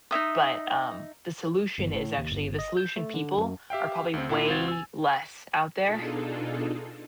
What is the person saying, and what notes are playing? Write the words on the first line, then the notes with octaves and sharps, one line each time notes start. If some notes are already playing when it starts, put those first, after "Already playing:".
but, um, the solution is actually the solution people are probably way less out there
D#4 C#5 E5 D#6
G1
A2
D#2
G1
D#5
G6
A3
D3
F#2
G4 E5 F5 G5
D2 C4
A#2 D4 E4 F4
C#2 C4 F4 F#4 G#6 A6
G#5 E6
B2 D4 D#4 F4 G#4 A4